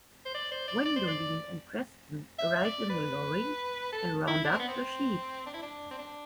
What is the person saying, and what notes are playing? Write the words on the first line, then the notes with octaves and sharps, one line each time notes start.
Wendolene and Preston arrive in the lorry and round up the sheep.
C5
D5
C5
D5
D5
C5
D5
E5
E5
D5
B4
A4
E4
D4
C4
B3
C4
D4
E4
D4
C4
D4